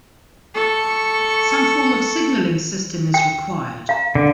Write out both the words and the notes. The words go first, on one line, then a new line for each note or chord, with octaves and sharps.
Some form of signalling system is required.
A4 C#6
G5
F5 A#5
D3